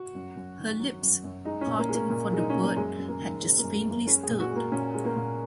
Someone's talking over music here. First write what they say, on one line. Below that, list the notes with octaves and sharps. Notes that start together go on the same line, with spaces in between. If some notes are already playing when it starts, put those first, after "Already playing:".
Her lips, parting for the word, had just faintly stirred.
Already playing: F#4
F#2
F#2
D#3
F#3
F#2
F#2
G#3 D#4
C#4
A#2
A#3
G#3
A#3
A#2
G#3 D#4
A#2 C#4
A#3
F#2 G#3
F#2
A#3
D#3
G#3 C#4
A#3
F#2
G#3
F#2
A#3
G#3 C#4
G#4
A#2
F#4
G#3
A#3
A#2 C#4
G#3
A#3
A#2